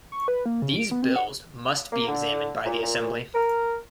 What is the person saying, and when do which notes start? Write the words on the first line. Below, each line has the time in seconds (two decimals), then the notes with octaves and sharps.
These bills must be examined by the Assembly.
0.12 C#6
0.28 B4
0.46 A#3
0.62 C#3
0.76 D7
0.91 B3
1.03 C4
1.16 F#5
1.92 A#3
2.07 D3
2.65 A#2
2.82 A#2
3.34 A#4